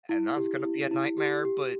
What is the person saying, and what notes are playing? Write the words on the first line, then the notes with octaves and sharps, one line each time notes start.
and that's gonna be a nightmare," but
E4
G4
E4
E4
G4
G4